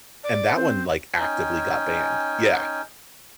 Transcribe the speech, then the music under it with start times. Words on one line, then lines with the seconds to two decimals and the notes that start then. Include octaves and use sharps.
and that one, like, actively got banned. Yeah.
0.24 D5
0.56 C4
1.20 C#4 D#4 G5 G#5